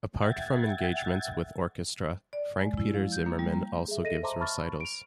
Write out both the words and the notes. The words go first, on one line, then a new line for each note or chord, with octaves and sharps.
Apart from engagements with orchestra, Frank Peter Zimmermann also gives recitals.
E5 F#5 G5 G#6 A6
D5
G#3
E4
F3
G6
A#3
G3
A#5
G#4 E5
A4 D#5 A#6 D#7
C5 E5 A5 A#5 C6 D6
A5 B5 C#6 F6 A6
D7 F7